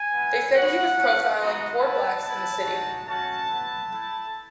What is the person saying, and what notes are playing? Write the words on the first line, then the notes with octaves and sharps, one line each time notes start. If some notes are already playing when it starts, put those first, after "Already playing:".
They said he was profiling poor blacks in the city.
Already playing: G#5
B3 E4
G#3 B3 F#4 F#5
A3 C#4 F#4
G#3 B3 D#4 F#4
B3 E4 A5
B3 E4 A5
G#3 D#4 F#4
A3 C#4 F#4 A5
B3 E4
A3 E4